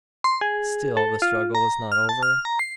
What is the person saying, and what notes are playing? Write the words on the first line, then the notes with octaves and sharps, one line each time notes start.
Still the struggle was not over.
C6
G#4
A4
F4
A#5
F6
A5
F6
A#5
C7